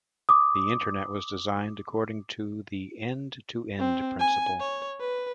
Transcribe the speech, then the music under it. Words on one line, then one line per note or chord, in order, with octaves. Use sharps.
The Internet was designed according to the end-to-end principle.
D6 D#6
C4
G#5
C#5
B4